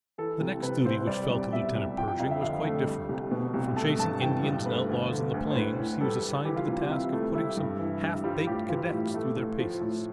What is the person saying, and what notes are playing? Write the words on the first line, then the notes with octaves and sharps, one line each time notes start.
The next duty which fell to Lieutenant Pershing was quite different. From chasing Indians and outlaws on the plains, he was assigned to the task of putting some "half baked" cadets through their paces.
E3 A4
C2
C3 B4
C2 C5
G3 D5
C2
B2 E5
C2
F3 G5
G5
F2 F5
E5
D3 F5
A3
G3
C2
B2
C2
A3 A5
G2 A5
E3 G5
G2
A3 B4
D2
D3
D2
C5
A2 B4
A2
G3 A4
G3
E3 G4
F4
C2 F4
F4
C3 E4
A3
G3 E4
G2
E3
G2
G3 F4
A2 G4
E3 F4
A2
A3
A2
F3
A2